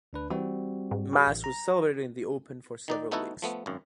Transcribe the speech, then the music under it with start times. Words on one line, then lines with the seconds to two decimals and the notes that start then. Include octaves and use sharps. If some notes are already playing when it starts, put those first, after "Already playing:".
Mass was celebrated in the open for several weeks.
0.13 D2 D4 B4
0.30 E3 G3 C4 F#4
0.91 G#2
1.13 G3
1.27 A1
1.44 A#5
2.88 D#3 D#4 D5
3.11 A3 B3 D#4 E4 F#4 A4
3.42 F3 A3 B3
3.66 G#1 F#2